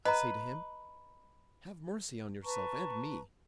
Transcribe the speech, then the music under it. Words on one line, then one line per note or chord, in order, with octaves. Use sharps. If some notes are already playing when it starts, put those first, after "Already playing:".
I say to him, "Have mercy on yourself and me."
B4 D#5 A#5
B4 A5 A#5 C#6